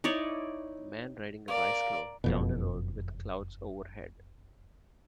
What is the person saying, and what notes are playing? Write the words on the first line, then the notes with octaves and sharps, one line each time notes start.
Man riding a bicycle down a road with clouds overhead.
D#4 E4 C#5 D5
A#4 D5 F5
F#1 F2 B2